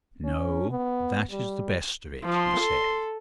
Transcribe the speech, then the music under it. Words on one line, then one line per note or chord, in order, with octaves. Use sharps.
"No--that is the best of it," he said.
C#4
B3
G3
F3 C6
A4